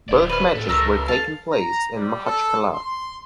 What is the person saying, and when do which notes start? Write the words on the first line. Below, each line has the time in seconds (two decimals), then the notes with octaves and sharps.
Both matches were taken place in Makhachkala.
0.09 D1 C5 D5
0.29 B4 F6
0.55 A2 A4 B4
0.69 C#2 A3 A#4 E6
1.08 F5 A5
1.52 A#5
1.96 G3
2.25 A4
2.74 C6